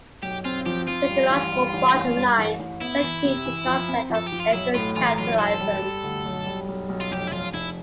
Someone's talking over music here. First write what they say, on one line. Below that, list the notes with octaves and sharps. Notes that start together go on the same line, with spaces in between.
The ecological bottom line is akin to the concept of eco-capitalism.
B1 G4
C4 F4
F3 G4
F3 F4
G3
A1
G3
A1
A1
G2
A1
A1
B3 E4
E3
C3
E3
F3
C4
F3
A4
G4
F3
F4
B1 E4
A2 F4
E3 F4
B1 F4
E1 A4
G3
G3
D2
B1
G3
B1
B1
F4
F1 G4
E4
F1 F4
F1 E4